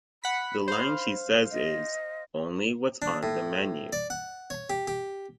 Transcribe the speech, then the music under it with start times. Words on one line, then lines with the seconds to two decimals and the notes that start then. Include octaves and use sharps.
The line she says is: "Only what's on the menu".
0.24 F#5 B5 B6
0.68 C5 F5
1.51 D#5
3.02 D4
3.23 A2
3.93 D5
4.10 F#5
4.50 C#5
4.70 G4
4.88 G4